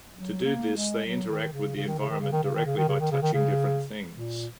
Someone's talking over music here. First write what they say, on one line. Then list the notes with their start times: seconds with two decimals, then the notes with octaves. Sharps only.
To do this, they interact with the environment directly by touching different things.
0.14 F#3
0.44 A#3
0.75 G#3
1.06 F#3
1.29 D#3
1.52 C#3
1.76 C#3
1.87 D#3
1.99 C#3
2.09 D#3
2.21 C#3
2.32 D#3
2.44 C#3
2.55 D#3
2.66 C#3
2.77 D#3
2.88 C#3
3.00 D#3
3.11 C#3
3.22 D#3
3.34 C#3
4.15 A#2